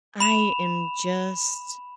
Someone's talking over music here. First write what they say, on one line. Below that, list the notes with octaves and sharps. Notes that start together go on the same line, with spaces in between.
I am just
B5 E7 F7